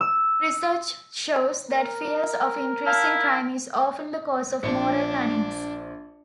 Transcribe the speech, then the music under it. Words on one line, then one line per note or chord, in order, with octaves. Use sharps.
Research shows that fears of increasing crime is often the cause of moral panics.
E6
A#4
E4 F5 A5 F6
A#1 D4 C5 C#7